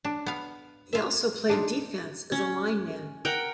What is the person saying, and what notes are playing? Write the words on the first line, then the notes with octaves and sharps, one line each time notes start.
He also played defense as a lineman.
D4
B3 F5
F4 E5
D4 D#4 F4
C#4
A#4 F#5 G5